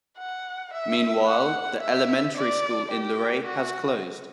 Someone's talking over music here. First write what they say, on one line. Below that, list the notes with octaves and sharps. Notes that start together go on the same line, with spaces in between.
Meanwhile, the elementary school in Luray has closed.
F#5
E5
F#5
E5
D5
G4
F#4